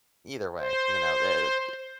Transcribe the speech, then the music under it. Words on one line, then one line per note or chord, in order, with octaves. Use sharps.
Either way, you know, the c
C5